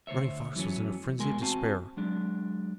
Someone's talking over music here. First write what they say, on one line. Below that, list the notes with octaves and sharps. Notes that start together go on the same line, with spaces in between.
Running Fox was in a frenzy of despair.
D2 C5 C#5 E5
F#2 E3 F#3 A3 C#4
E2 B2 G#3 A#4 G#5 C6
C4 F#4 C5 F5 G#5 A5
F#3 G#3 D4